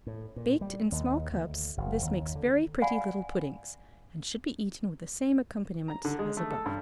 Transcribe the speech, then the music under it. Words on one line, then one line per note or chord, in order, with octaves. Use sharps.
Baked in small cups, this makes very pretty little puddings, and should be eaten with the same accompaniments as above.
A2
A#2
G3
D#2
D2
F#1
D#2
D3
D5 F5 F#5 G#5 B5 C6
A#5
D3
G#3
A3
A4
G2